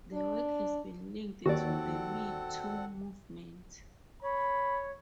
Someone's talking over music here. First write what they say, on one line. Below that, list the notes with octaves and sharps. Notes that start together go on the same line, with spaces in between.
The work has been linked to the Me Too movement.
D4
D#2 C4 F#4 A4 D5 F#5
C#5 B5